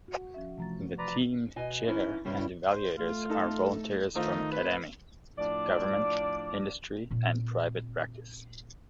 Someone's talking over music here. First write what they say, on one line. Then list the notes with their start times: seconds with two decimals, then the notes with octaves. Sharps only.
The team chair and evaluators are volunteers from academe, government, industry, and private practice.
0.08 F#4
0.34 F3 C#4 E5
0.58 C3 E3 F3 A3 A#5 A6
0.98 B4 D5 A#5 C6
1.56 B2 D#5 G#5
1.87 E3 C#4 D#4 E4
2.25 D2 G2 C3 G3 C#4 E4
2.69 C5
2.98 A3 F4
3.30 D#4 A4
4.16 D#3 A3 D#4 F4 C5
4.52 B4
5.38 A2 F3 D4 D5
7.11 A#2 C4